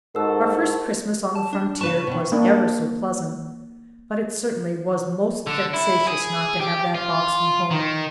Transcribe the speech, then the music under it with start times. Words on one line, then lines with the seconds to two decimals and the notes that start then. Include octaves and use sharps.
OUR first Christmas on the frontier was ever so pleasant, but it certainly was most vexatious not to have that box from home.
0.15 G#2 F#4 A4 A#4 E6
1.35 A5
1.53 D4
1.81 C#3 B4 A5 C#6
2.07 B2 D#3
2.32 A#3 D4
5.47 D3
5.74 E4
6.08 G#4
6.60 G4
6.95 F4
7.71 D#3